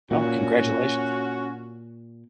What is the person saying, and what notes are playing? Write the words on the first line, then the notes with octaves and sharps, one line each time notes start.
Oh, congratulations.
A#2 C#4 F#4